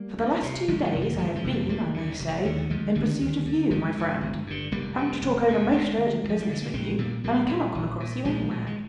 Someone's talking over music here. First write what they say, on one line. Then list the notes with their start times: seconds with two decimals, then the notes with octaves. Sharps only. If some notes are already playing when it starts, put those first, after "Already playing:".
For the last two days I have been, I may say, in pursuit of you, my friend, having to talk over most urgent business with you, and I cannot come across you anywhere.
Already playing: G3 A#3
0.18 D2
0.43 C3
0.68 G1 F3 G#3
0.85 F3 G#3
0.93 F2 C3
1.01 D#3 G3
1.18 G1 F3 G#3
1.35 F3 G#3
1.44 F2 C3
1.52 G3 A#3
1.69 F1 G3 A#3
1.94 D#2 D3
2.20 F1
2.45 D#2 D3
2.70 D2 F3 G#3
2.95 D3 D#3 G3
3.21 D2
3.46 D3
3.70 G1 F3 G#3
3.97 G2 D3
4.21 G1
4.47 G2 D3
4.72 F1 G3 A#3
4.97 F2 C3
5.22 F1
5.48 F2 C3
5.72 D2 G#3 C4
5.98 D3
6.23 D2
6.29 F3
6.40 G3
6.48 D3 G#3
6.62 A#3
6.74 A#1 G#3 C4
6.98 A#2 G3 A#3
7.24 A#1 G3 A#3
7.49 A#2
7.75 A#1
8.00 A#2
8.25 A#1 F3 G#3
8.50 A#2
8.67 G#3